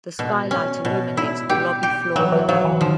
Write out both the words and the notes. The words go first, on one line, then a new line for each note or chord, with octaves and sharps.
The skylight illuminates the lobby floor below.
B2
C#4
B2
E4
G4
G4
E3 F#3
E3
F3 F#3
E3
D#3 F3